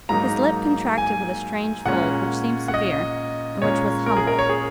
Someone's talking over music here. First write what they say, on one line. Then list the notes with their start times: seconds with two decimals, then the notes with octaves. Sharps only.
His lip contracted with a strange fold which seemed severe, and which was humble.
0.09 G#2 F#3 A#3 D#4 A#5
0.98 G#5
1.86 A#2 G#3 C#4 F#5
2.68 F#5
2.74 D#5
3.62 A#2 G#3 C#4 C#5
4.06 A#4
4.17 G#4
4.27 A#4
4.39 C#5
4.49 G#4